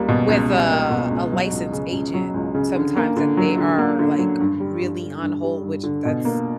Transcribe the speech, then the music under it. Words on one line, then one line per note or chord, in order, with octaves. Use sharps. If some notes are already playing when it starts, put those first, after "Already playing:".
with, uh, a licensed agent, sometimes that they are, like, really on hold, which that's
Already playing: C#2 G3 A#3
B2
C#2
G3
A#3
B2
C#2
F#3
C#2
C#3
C#2
F#3
C#2
C#3
D3
A#3
D3
F#3
D3
A#3
D3
F#3
G2
G3
G2
D3
G2
G3
G2
D3
B2
A#3